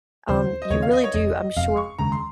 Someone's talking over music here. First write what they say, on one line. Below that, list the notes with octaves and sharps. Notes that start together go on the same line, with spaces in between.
um, you really do, I'm sure,
D#2 C#3 F3 C4 C5
D#5
D#2 C#3 F3 C4 C#5
F5
D#5
C#5
F1 F2 C3 D#5
F1 F2 C3 F5
C#6
F1 D#2 C#3 G#3 A#5
C6